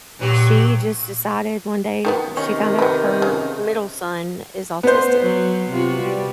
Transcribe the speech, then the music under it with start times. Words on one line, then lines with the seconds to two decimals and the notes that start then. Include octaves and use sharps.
she just decided one day she found out her middle son is autistic
0.19 G2 A#2 F#3 G4
2.05 D#3 F3 B3
2.37 C3 D#3 C#4
2.79 B3 B4
3.22 C#3
4.83 B3 C5
5.22 F#3
5.69 C3 F4 F#4
6.02 G3